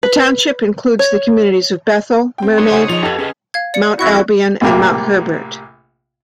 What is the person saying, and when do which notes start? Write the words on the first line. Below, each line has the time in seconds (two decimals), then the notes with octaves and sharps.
The township includes the communities of Bethel, Mermaid, Mount Albion and Mount Herbert.
0.03 B4
0.99 C#5
2.38 C4 G5
2.58 G2 D4 D#4 G#4 C#5 C6
2.71 C#3 G4 C5 F#5 G#5
2.89 D3 F3 F4 D#5 F7
3.03 F2 G4 A4 B4 D#5 G#6
3.19 C#4 G#4 B4 D#5
3.54 F5 G#6
3.74 D5 C#7
3.99 F2 E4 F#4 F#5 C#6 F#6
4.61 A#1 A2 C3 A#3